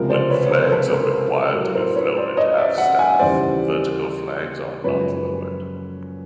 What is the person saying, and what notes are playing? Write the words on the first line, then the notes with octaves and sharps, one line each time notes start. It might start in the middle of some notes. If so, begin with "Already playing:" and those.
When flags are required to be flown at half-staff, vertical flags are not lowered.
Already playing: C#2 C3 F3 G#3 A#4
C5 D5
B4 C#5
C#5
A#4 C5
A4 B4
A#4 C5
A4
A#4
A4
A2 F#3 A#4
A#4 C5
B4 C#5
C5 D5
C#5 D#5
D5 E5
E5 F#5
F#5 G#5
D#2 C#3 E3 G3 C5 D5
F#2 C#3 F3 G#3 B4 C#5